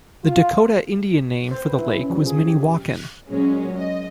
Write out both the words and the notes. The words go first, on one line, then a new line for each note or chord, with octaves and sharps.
The Dakotah Indian name for the lake was Minnewaukon.
F4
C5
B4
E4
C#4
F3
G#4
G4
A#2 F#3 G#3 C#4
D#5